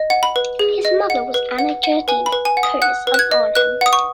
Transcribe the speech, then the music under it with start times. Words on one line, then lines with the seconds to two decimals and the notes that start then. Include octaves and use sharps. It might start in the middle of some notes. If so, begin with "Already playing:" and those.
His mother was Anna Gerdina Coers of Arnhem.
Already playing: D#5
0.10 F#5
0.23 B5
0.36 B4
0.59 G#4
0.85 D#5
1.10 F#5
1.34 B4
1.59 F#5
1.83 F#5
2.08 B4 G#5
2.26 B5
2.32 B4
2.45 G#5
2.57 F#5
2.63 D#6
2.82 F#5 F#6
3.07 B4
3.14 F#6
3.19 G#6
3.31 D#5
3.55 B4 F#6
3.81 F#5 D#6
3.93 C#6